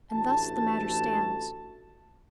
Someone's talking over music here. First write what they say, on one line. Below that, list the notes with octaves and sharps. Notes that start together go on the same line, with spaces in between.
And thus the matter stands.
A1 D2 A3 A5